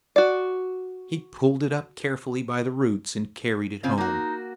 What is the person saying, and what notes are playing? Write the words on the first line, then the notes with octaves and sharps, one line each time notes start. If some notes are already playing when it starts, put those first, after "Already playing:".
He pulled it up carefully by the roots and carried it home.
F#4 D5
C#3 C4 F4
A#3 D#4 F#4